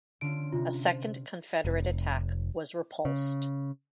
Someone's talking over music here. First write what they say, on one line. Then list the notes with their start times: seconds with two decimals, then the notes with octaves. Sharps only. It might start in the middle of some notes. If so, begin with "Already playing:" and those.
A second Confederate attack was repulsed.
0.21 D3 C#4 F4 D7
0.52 C3 F4
0.86 C5
1.65 F1
3.05 C#3